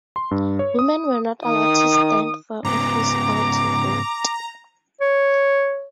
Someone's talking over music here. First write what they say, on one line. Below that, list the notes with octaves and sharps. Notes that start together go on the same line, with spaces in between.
Women were not allowed to stand for office or to vote.
C6
G2
C#5
D#6
D#3 D#6
G#2 C#3 B3 A#5 D6
C#5